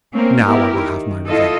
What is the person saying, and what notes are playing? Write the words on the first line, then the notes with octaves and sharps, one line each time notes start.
Now I will have my revenge.'
A3 A#3 C4 C#4 A#4
B3 E4 G4 A#4
D#3
E4 F4 A4 D#5